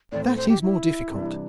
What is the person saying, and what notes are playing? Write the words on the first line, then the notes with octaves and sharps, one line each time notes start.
"That is more difficult."
A2 A3 C4 E4 D5
C5
C5
G4
E4
C3 E3 G3 D4